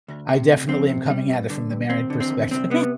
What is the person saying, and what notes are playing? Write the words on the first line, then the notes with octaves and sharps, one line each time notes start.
I definitely am coming at it from the married perspective,
D2
C3
D2
F2 C4
C3
G3
G2
D3
G2
D#2 C4
D3
C4
D#2
C2 C4
C3 B3